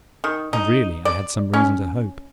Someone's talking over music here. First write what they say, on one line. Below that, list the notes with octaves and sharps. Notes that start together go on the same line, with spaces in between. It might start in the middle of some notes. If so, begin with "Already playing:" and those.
And really I had some reason to hope.
D#3
D#4
D5
C#4